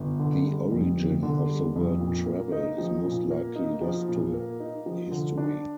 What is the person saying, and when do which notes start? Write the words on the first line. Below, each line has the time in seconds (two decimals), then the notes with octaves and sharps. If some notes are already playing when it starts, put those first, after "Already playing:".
The origin of the word "travel" is most likely lost to history.
Already playing: G1
0.19 D3
0.46 G3
0.71 F2
0.97 G1
1.23 D3
1.49 G3
1.76 F2
2.00 A#2
2.26 A#3
2.52 D#4
2.78 F3
3.05 A#2
3.31 A#3
3.56 D#4
3.81 F3
4.08 A#2
4.34 A#3
4.60 D#4
4.86 F3
5.12 D3
5.38 D4